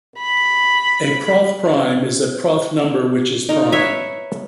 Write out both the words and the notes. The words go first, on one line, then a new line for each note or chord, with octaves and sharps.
A Proth prime is a Proth number which is prime.
B5
D#4 A#4
B4 C#5 E5